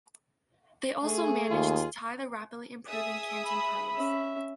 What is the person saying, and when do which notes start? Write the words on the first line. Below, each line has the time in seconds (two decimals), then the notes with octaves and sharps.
They also managed to tie the rapidly improving Canton Pros.
1.03 A3 G#4
1.51 D#2 F4
2.87 G#4 E5 D#6
3.46 B5
3.96 C#4 E5